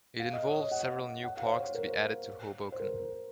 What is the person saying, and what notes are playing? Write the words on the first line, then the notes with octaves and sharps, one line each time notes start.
It involves several new parks to be added to Hoboken.
F5
D#5
C#5
D#5
F#5
F#5
F5
C5
C#5
C5
A#4
C5
C5
A#4